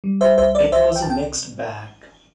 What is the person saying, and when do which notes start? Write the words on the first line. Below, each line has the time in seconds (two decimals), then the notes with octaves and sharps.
It was a mixed bag.
0.04 G3
0.21 C5 E5
0.38 C2 C5 E5
0.55 D5
0.72 C2 C5 E5
0.96 G5
1.02 A5
1.06 C3 G5